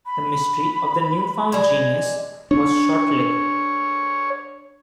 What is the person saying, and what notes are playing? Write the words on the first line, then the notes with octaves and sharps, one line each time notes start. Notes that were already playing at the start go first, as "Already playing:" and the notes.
The mystery of the newfound genius was short-lived.
B5
G#3 D4 G#4
D4 C#5